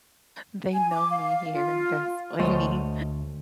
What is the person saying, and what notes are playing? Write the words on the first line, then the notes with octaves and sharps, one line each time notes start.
They know me here, that's funny.
G#5
D6
F5
F4
D2 A3 C5 C#5 D#5